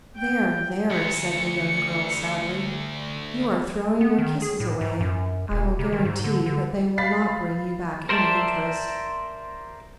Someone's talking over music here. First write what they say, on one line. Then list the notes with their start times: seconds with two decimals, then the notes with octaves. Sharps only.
"There, there," said the young girl, sadly, "you are throwing your kisses away; I will guarantee that they will not bring you back any interest."
0.16 G5
0.90 D2 C#7
4.01 B3
4.18 D#3
4.42 G#4
4.60 A2
4.81 G#2
5.01 F#2
5.51 D#1
5.79 C3
5.92 D#3
6.05 G#2
6.24 D3
6.46 D3
6.98 F5 B5 A6 B6 C7
8.09 A#4 C5 D5 E5 A5